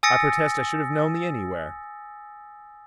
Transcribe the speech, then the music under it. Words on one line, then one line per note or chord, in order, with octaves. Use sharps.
I protest I should have known thee anywhere.
G#5 D#6 E6 A6 A#6 C#7